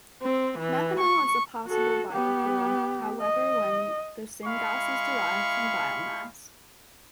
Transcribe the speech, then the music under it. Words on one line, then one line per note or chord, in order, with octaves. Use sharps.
Methanol is a possible biofuel, however when the syngas is derived from biomass.
C4
E3
C#6
F#4 A4
B3 G4
D#5
G#3 E4 F5 B5 C#6